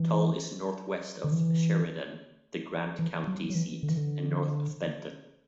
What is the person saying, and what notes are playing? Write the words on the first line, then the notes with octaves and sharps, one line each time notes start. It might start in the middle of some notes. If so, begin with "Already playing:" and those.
Tull is northwest of Sheridan, the Grant County seat, and south of Benton.
Already playing: E3
D3
E3
E3
F#3
F#3
E3
D3
E3
D3